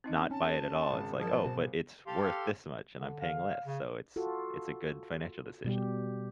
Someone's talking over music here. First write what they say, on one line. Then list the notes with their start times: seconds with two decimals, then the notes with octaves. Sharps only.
not buy it at all, it's like, "Oh, but it's worth this much, and I'm paying less, so it's it's a good financial decision."
0.04 C4 D#4 D#5
0.31 C#4 A5
0.45 A4
0.90 G#1 C#3
1.20 F3 F#3 G#4 A#4 A5
1.45 B2 C5
2.07 G4 A4 F5 C6
2.99 D3
3.21 F5
3.66 C#3
4.16 F4 F#4 A4
5.65 B2 G3 G4